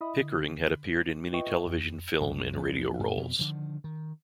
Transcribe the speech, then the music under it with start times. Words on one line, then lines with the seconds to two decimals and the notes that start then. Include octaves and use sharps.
Pickering had appeared in many television, film and radio roles.
0.01 E4 D#5 E5 B5 D#6
0.20 D3
1.32 F4 B4 D#5 E5 G5 C#6
1.66 F2
2.21 C2 F#2
2.57 E2 F3 B3
2.99 F#2 A#2 A#3
3.16 F2 B2
3.39 D3 D#3 F3
3.84 D#3